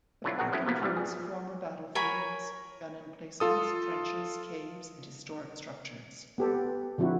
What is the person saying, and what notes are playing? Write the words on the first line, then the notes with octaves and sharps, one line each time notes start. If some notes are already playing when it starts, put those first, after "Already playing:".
The park includes former battlefields, gun emplacements, trenches, caves, and historic structures.
B2 D3 F#3 D4 E4 F4
A#1 F#4 G#4 A#4 F#5
F3 F#3 A3 C#4 E4
C3 F3 A#3 B3
G#2 E3 F3 G3
G#4
A#4 C#5 G#5 B5
F4 A4 D#6
B3 G4 A4 C5
D3 F3 C4 E4 F#4